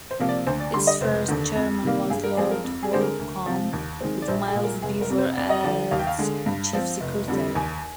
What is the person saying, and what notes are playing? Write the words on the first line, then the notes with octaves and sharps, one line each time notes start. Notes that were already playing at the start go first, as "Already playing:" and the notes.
Its first chairman was Lord Hurcomb, with Miles Beevor as Chief Secretary.
C5
C3 F3 A#3
D5
D2 C5
D5
D3 G3 C6
D#5
F1 C5
D#2 D3
F2
C3 D#3 G3 A#3
G2 G#4
A#4
F3 G#3 C4 G#4
A#4
F2
G#4
D3 G#3 C4 C5
A#4
D2
C3 F3
D#2
D#3 G#3 C4
D5
A#1 C5
G#4
A#2 G#3
A#4
F1 G#4
A#4
F2 C3
C5
F2 D5
D#5
D3 F3 D5
D#2 F5
G5
F5
D3 G#3
G2
F3 C4
F1
F2 D3 G3
D#2 G#5